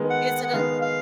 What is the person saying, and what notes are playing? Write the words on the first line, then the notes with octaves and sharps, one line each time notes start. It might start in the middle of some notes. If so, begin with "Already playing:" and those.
Is it a
Already playing: D#3 G#3 B3
F#5
F#5
D#3 G#3 B3 F5
F5